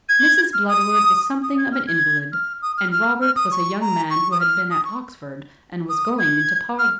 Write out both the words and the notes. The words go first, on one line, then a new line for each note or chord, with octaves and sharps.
Mrs. Bludward was something of an invalid, and Robert was a young man who had been at Oxford and was going into Parliament.
G#6
F6
D#6
D#6
G#6
F6
G#6
F6
D#6
F6
F6
F6
D#6
C#6
A#5
C#6
D#6
F6
D#6
C#6
D#6
G#6
F6